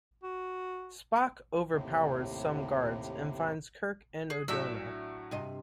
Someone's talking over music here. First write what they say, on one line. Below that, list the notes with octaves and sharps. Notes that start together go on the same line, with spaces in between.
Spock overpowers some guards and finds Kirk and Odona.
F#4
D#2 A2 C3
G#4
A2 F#3 D4 F#4 E5 E6
G2 C3 D#5